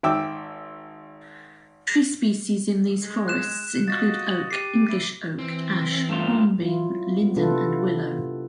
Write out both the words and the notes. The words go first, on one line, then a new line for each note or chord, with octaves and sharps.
Tree species in these forests include oak, English oak, ash, hornbeam, linden and willow.
G#1 E5 G5 D6 E6
G#3
F#6 E7
F4 F#4 D#5 A6
G4 D6 C7 D#7
E4 E5 D6
E3 C4
G2 A3 F4
F#3 E4 F4
B3
C3 D4 E4 F4 A4 B4